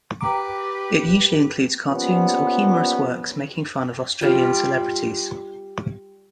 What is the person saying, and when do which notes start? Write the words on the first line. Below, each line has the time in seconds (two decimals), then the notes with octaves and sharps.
It usually includes cartoons or humorous works making fun of Australian celebrities.
0.21 G4 B4 G5 A#5 D6
1.87 F3 G3 A#3 B3 C#4
4.21 G3 F4 G4